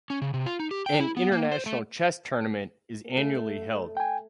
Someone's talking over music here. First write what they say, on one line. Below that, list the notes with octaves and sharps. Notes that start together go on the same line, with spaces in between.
An international chess tournament is annually held.
C#4
C#3
C3
F4
D#4
G4
G5
E4
B3
A#3
C5
A3
A3
G5 G#5